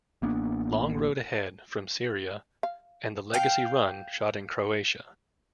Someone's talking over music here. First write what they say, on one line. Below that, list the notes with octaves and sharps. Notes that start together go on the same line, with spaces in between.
"Long Road Ahead" from Syria, and "The Legacy Run" shot in Croatia.
A1 A#3 B3 D4
F5
F5 G5